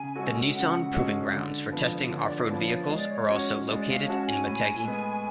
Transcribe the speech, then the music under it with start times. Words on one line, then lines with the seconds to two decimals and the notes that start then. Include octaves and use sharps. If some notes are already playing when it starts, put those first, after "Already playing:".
The Nissan Proving Grounds for testing off-road vehicles are also located in Motegi.
Already playing: C#3 G#5
0.15 G#3 C#4 F#4 A4
0.54 C#3 F#5
0.93 G#3 C#4 F#4 A4
1.25 F5
1.33 D3 D5
1.72 F3 B3
2.10 D3 C#5
2.23 D5
2.35 C#5
2.48 F3 B3 D5
2.60 C#5
2.72 D5
2.85 G#3 C#5
2.97 D5
3.09 C#5
3.29 C#4 F#4
3.68 G#3 D5
3.79 D5
3.86 F5
4.07 C#4 F#4 A5
4.26 G#5
4.46 A2
4.85 G#3 B3